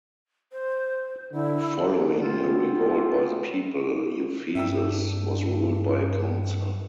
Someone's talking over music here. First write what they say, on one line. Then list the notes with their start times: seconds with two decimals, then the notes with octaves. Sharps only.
Following a revolt by the people, Ephesus was ruled by a council.
0.52 C5
1.33 D3 E4
2.20 A3 B3 C4 F4
4.55 G2 D4 E5 G5 E6